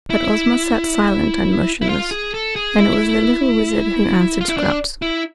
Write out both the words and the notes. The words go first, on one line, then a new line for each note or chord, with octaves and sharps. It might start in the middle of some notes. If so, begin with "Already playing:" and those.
But Ozma sat silent and motionless and it was the little Wizard who answered Scraps.
E4
E4
F4
G#4
A4
G#4
E4
F4
E4
D4
E4